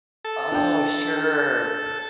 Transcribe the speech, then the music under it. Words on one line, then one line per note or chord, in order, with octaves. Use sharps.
Oh, sure.
A4
D4 G5